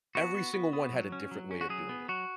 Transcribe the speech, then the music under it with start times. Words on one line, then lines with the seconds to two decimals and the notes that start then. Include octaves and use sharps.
every single one had a different way of doing it,
0.15 B3 F#4
0.34 B3
0.53 B3
0.73 B3
0.93 F#3
1.12 C#4
1.31 F#3
1.51 C#4
1.61 F#4
1.70 F#3 G#4
1.89 B3
2.08 F#3 F#4